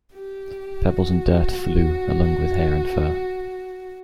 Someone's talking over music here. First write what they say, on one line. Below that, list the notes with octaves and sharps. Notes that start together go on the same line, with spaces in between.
Pebbles and dirt flew along with hair and fur.
G4
F#4